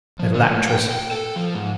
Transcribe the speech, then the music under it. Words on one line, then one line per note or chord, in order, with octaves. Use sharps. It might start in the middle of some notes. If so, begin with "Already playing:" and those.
Little actress!
F3
D3
A2
G5
G5
A4
F3
G#2